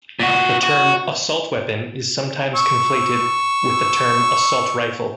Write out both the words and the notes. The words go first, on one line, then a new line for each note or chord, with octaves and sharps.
The term "assault weapon" is sometimes conflated with the term "assault rifle".
A#2 F#4
F#4
C#6 E6